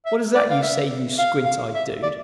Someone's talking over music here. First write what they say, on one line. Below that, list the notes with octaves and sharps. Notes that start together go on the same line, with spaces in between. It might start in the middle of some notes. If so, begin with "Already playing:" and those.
What is that you say, you squint-eyed dude?
E5
D5
F5
E5
F5
F5
E5
D5